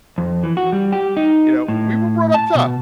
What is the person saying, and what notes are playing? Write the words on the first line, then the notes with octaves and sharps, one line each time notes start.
You know, we were brought up tough,
F2
E3
F#4
G3
G4
D#4
A2
A5
B2